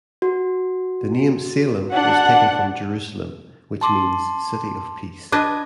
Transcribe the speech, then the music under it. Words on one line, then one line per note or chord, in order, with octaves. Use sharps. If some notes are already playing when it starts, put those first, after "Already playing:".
The name Salem was taken from "Jerusalem", which means "city of peace".
F#4
D4 F#5
A5 C6 D6
D4 B4 D#5 D6 G#6